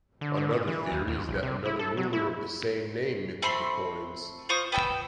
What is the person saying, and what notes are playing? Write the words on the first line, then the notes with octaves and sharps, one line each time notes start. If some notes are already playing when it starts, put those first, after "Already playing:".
Another theory is that another ruler of the same name minted the coins.
D3
D3
A#2
E3
D#2
D#2
A#1
C3
E4
A4
F#3
E4
A3 C4 B5 C6
F4 C5 C#6 D#6
B3 G5 A5 E6